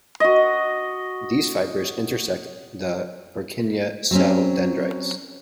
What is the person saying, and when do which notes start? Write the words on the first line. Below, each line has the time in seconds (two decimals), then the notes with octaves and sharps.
These fibers intersect the Purkinje cell dendrites.
0.20 F#4 D#5
4.11 F#3 C4 C#4